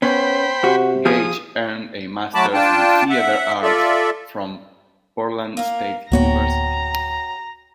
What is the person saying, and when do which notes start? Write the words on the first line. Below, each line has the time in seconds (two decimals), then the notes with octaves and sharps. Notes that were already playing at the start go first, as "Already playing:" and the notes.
Gage earned a masters in theater arts from Portland State University.
0.02 B3 C#4 C5 G5 B5
0.64 C3 F#4
1.05 F3 F4 G#4 D#6
2.34 F#3 A3 F#4 A5 B5 D6
2.54 D4 F4 G5 A5
3.10 E5 F#5
3.62 F4 A4 D5 E5
5.57 A#3 A#4
6.12 D1 A#3 B3 F#4 C#5 G5 A#5